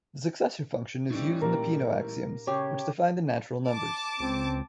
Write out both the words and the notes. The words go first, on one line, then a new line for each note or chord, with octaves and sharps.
The successor function is used in the Peano axioms which define the natural numbers.
A2 E3 G3 C#4 D#4
A#2 A#3 G4 A#4
C#3 G4 C#5
A5 D6
C#2 C4